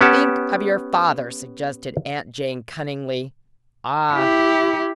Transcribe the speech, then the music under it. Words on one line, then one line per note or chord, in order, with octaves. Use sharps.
"Think of your father," suggested Aunt Jane, cunningly.
B3 C#4 G4 F#5 A5
E4 G4